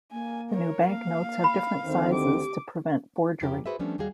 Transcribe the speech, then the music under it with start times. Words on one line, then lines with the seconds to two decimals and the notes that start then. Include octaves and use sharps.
The new banknotes have different sizes to prevent forgery.
0.12 A#3 G#5
0.51 A#4 C#5
0.87 A#3 F5
1.44 B5
1.85 D2 D#3 C4 C5
2.14 G4 D6
3.41 F2 C3 E4 G4 A#4
3.66 F#4 G#4 B4 C5 E5
3.79 F3 G3 A3 B3 C#4 D4
3.98 D#2 G3 F#4 G#4 F5